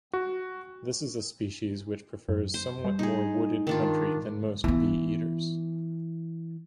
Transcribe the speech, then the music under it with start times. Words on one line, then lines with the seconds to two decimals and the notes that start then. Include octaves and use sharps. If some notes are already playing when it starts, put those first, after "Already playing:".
This is a species which prefers somewhat more wooded country than most bee-eaters.
0.13 F#4
2.29 F#2
2.54 C5
2.85 G3
2.99 D#4 G#4
3.67 D#3 D4 F4
4.64 E3 B3 F4